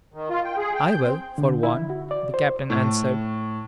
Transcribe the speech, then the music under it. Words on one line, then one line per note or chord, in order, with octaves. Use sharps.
"I will, for one," the Captain answered.
D#3
F4
G5
G#4
G5
G6
C4
D3
E4
F#4
D5
C5
A2